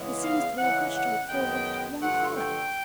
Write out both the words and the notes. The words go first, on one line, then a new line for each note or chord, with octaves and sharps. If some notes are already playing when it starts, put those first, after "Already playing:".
"He seems to be a good straight-forward young fellow."
Already playing: C#3 E3 G#3 B3
F5
C#3 E3 G#3 F#5
F#5
F#2 D#3 G#3 B3 G5
G2 D3 F3 A3 F#5
G5